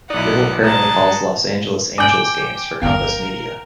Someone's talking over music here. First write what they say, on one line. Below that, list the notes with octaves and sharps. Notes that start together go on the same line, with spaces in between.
Dibble currently calls Los Angeles Angels games for Compass Media.
B1 D#4 E4 D5 F#5
G#3 F#5 A5 A#5
D5 G5 G#5 D6 G6 D7 F#7
G1 E2 A#4 F5 G5 F6